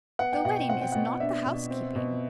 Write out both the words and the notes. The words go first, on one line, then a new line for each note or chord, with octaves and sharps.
The wedding is not the housekeeping.
B3 F#5
G5
B2 F#5
G5
C4 F#5
G5
B2 F#5
D4 E5
B2
C4
B2